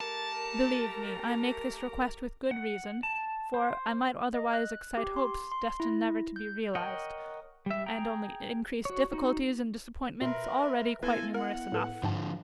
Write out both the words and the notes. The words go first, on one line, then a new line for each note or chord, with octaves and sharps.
Believe me, I make this request with good reason, for I might otherwise excite hopes destined never to be realised, and only increase difficulties and disappointments already quite numerous enough.
A3 G4 A#4 A5
F#5
A5
C5
D#5
F#6
G4
C6
C6
E4
G6
A#4 C#5 D#5 F#5 G5
G3 E5
G#4 G5 A#5
F#4 C#5
D#4 F#4
B2 A#4 B4 E5 C6
B3 E4 A4 B4 G#5
A#4 F#5
A2 A4 B4
G#2 D3 F3 G5 A5